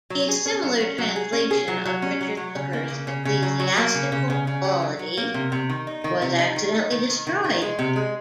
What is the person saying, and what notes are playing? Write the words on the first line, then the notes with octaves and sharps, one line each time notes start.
A similar translation of Richard Hooker's "Ecclesiastical Polity" was accidentally destroyed.
F#3
G#4
C#4
F#3
C#4
F#3
G#4
C#4
G#4
F#3
F#3
C#4
F#3
F#3
C#3
A#3
C#3
C#3
C#3
F#3
F#3
A#3
C#3
C#3
C#3
C#3
F#3
F#3
F#3
A#3
C3
C3
D#3
D#4
D#3
C3
D#4
D#3
D#4
D#3
D#3
D#3
D#3
G#3
C3
G#3